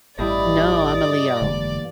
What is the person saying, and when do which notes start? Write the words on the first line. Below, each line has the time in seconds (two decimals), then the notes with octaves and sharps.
No, I'm a Leo.
0.18 A1 G2 G3 E4 D5 D#5 D#6
1.41 F1 D3 E3 G#3 A#3